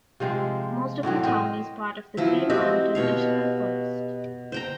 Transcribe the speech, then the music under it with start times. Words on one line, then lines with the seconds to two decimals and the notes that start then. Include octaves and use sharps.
Most of the town is part of the Green Mountain National Forest.
0.20 C3 F3 G#3 C4
1.03 A2 E3 F#3 C4
1.24 C4 A#4 C5 D#5
2.17 F3 F#3 E4
2.50 C4 F#4 G4 D#5 E5
2.95 B2 C#5 F5
4.52 C5 G5 A#5